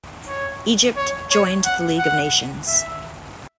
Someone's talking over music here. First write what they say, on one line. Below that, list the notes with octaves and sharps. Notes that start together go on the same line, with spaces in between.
Egypt joined the League of Nations.
C#5
C#5
C#5
F#5
F#5
E5